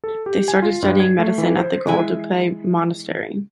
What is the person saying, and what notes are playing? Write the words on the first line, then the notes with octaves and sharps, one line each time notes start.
They started studying Medicine at the Guadalupe monastery.
A4
G4
G#5
F4
G2
G#6
A3
E3
C5
E3 G#3 E4 G#5